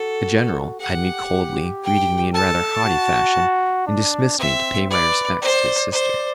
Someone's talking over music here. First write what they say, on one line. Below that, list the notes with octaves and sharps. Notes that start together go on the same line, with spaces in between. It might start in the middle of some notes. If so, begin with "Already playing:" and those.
The General eyed me coldly, greeted me in rather haughty fashion, and dismissed me to pay my respects to his sister.
Already playing: F#4 A4
G4 F#5
G5
A4 A5
F#4
D4
C4 E5
B4 D5
C5 D5
C5 D5